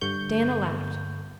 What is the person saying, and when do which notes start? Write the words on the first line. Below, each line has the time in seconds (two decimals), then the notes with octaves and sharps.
Diana laughed.
0.01 G2 D3 C#6 G6